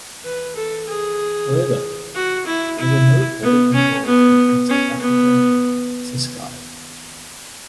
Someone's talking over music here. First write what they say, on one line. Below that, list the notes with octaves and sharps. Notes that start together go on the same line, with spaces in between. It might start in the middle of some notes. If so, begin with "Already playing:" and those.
However, there were no border controls between South Africa and Ciskei.
B4
A4
G#4
F#4
E4
E4
B3
C#4
B3
C#4
B3